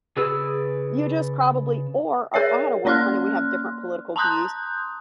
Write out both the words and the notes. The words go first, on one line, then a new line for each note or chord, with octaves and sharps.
you just probably, or I I had a work friend and we have different political views,
C#3 G#4 B4 D5 E6
G#4 A#4 C#5 D5 E5
A#3 C#4 D5 C6 F6 F#6
A5 A#5 C6 D#6 F#6 G6